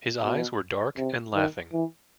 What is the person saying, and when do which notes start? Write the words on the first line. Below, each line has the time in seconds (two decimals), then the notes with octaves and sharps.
His eyes were dark and laughing.
0.23 B2
0.98 C3
1.35 D#3
1.73 E3